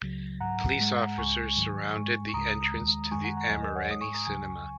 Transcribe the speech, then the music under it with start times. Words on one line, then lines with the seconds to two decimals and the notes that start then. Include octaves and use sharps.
Police officers surrounded the entrance to the Amirani Cinema.
0.02 C#2 C#3 F#3
0.40 G#2 F#3 F#5 A#5
0.79 G#2 G#3
1.17 C#2 C#3 G#3 G#5 C#6
1.56 G#2 D#3 F#3
1.95 G#2 G#3
2.29 C#6
2.33 C#2 C#3 G#3 A#5 D#6
2.72 D#2 D#3 G#3
3.11 F#2 D#3 G#3 G#5 C#6
3.24 F#5 A#5
3.36 F#5 A#5
3.49 D#2 D#3 F#3 D#5 G#5
3.62 A#4 D#5
3.75 C#5 F#5
3.88 G#2 G#3 D#6
4.01 G#5 C#6
4.14 A#5 D#6
4.26 C#2 C#3 F#3 G#5 C#6